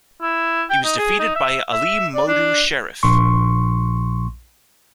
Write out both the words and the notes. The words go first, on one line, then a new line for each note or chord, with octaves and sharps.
He was defeated by Ali Modu Sheriff.
E4
G5
D#4
G#4
D#4
E5
E5
D5
D4
A#1 C6 C#6